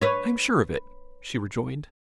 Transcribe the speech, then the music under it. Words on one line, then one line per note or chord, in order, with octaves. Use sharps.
"I am sure of it," she rejoined.
B4 C#5